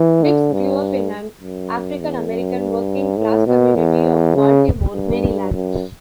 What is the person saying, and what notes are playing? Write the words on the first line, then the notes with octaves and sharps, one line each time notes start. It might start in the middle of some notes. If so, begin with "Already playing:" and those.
Dix grew up in an African-American working class community of Baltimore, Maryland.
Already playing: E3
D3
G2
F#2
E2
F#2
G2
A2
B2
E2
C#3
G2
F#2